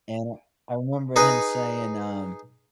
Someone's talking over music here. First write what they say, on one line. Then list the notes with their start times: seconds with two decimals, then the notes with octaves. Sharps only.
and I I remember him saying, um,
1.16 D#4 G#4 B4 D#5